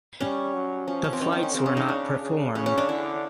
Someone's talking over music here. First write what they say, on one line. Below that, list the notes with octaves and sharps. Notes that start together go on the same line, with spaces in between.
The flights were not performed.
G3 C#4
F#3
F3 C#4
C#4
C4
D#3 C#4
C4
C#4
C#3 C4
C#4
D#4
D4
C#3
C#3 C#4
C#4
D4
D3 E4